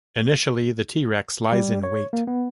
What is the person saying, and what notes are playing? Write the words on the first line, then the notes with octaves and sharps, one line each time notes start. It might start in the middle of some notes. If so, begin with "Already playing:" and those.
Initially the "T. rex" lies in wait.
G3
C#5
A#3
B3